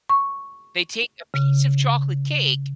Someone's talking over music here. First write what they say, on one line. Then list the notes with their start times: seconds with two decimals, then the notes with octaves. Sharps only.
They take a piece of chocolate cake,
0.09 C#6
1.34 C#3